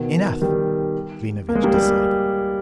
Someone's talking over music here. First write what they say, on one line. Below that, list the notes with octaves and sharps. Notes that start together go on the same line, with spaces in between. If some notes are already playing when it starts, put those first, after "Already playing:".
"Enough!" Klinevitch decided.
Already playing: B2 D#3
D#3 G3
A#3
G#3
G3 A#3
G3 A#3